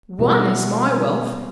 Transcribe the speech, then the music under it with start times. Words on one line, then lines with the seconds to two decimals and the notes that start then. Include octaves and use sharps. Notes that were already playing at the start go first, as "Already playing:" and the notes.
ONE is my wealth!
0.19 B2 E3 G3 B3 F#4